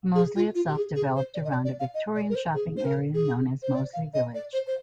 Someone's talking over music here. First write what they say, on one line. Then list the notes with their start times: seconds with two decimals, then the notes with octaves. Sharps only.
Moseley itself developed around a Victorian shopping area known as "Moseley Village".
0.15 G#4
0.36 F4
0.55 F4
0.68 G4
0.76 G#4
0.95 G#4
1.16 C5
1.34 D5
1.45 D#5
1.50 D5
1.64 D5
1.80 F5
1.94 D#5
2.15 D5
2.30 A#4
2.35 C5
2.54 G#4
2.77 C5
2.85 A#4
3.14 G#4
3.63 C5
3.75 D5
3.94 F5
4.14 D#5
4.34 D5
4.53 C5
4.67 C5